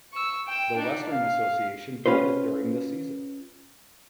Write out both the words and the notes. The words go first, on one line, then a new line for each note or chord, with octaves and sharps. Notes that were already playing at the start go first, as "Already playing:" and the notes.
The Western Association folded during the season.
C#6 E6
G5 E7
D4 D#4
F5
C#4 F4 B4 C5